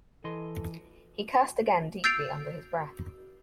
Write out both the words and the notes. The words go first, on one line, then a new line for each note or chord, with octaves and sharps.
He cursed again deeply under his breath.
E3 A4 D#5 C6
E6 G6 A6 C7 D7 F7